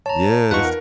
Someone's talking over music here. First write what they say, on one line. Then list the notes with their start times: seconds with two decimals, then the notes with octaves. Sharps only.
Yeah, that's t
0.06 C#5 A5 A#5
0.51 E2 D#4 F4 B4 F#5 C#6
0.65 A#4